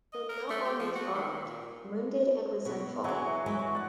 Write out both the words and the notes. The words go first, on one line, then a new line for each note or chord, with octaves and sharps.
And not only fogged — wounded and resentful.
D#5
A#4
A3
G4
F3
F#4
D#3
A#2
A#2
B2 F#4
E3 F#3 D4 F#4 G#4
E3 F#3 G#3
G3 C#6
D5 F#5